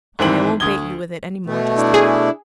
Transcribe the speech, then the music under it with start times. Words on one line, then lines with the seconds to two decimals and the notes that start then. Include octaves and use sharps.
Only I won't bait you with it any more just now.
0.19 G#1 G#2 E3 C4 F#7
0.60 D2 D#6 G#6 G7
1.46 B2 A3
1.77 D4 E4
1.94 G#4